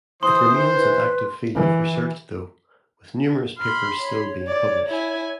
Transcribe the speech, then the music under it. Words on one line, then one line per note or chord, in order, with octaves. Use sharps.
It remains an active field of research though, with numerous papers still being published.
E3 C5 C6 D#6
B4
E3
B5 C6 F6
C#5
D5
E4 G#5